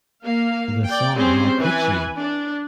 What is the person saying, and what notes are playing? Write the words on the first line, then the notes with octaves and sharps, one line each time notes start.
The song How Could She?
A#3 F5
D5 G5
G3 C4 C#4 G#4 C5
E3 B4 G#5
D4